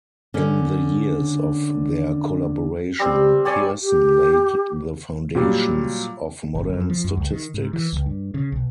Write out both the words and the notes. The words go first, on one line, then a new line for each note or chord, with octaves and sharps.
In the years of their collaboration Pearson laid the foundations of modern statistics.
D3 C#4
G3 C4
G4 C#5 D5 G#5
G4
A#2 F#3 G3
G1
F#2
F3
F#2
C#2
D#3
G#2
E3
C#2
G2
C#3
B1